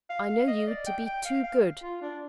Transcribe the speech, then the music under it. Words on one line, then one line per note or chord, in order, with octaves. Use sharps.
I know you to be too good.
F5
F5
D#5
D5
G5
G5
F5
F5
F4
D4